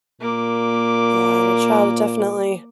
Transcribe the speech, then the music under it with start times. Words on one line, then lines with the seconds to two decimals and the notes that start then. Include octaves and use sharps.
Yeah, and a child, definitely
0.21 A#2 A#3 D6